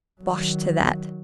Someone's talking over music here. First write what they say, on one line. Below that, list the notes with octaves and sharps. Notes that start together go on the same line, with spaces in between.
"Bosh to that!"
D#3 F#3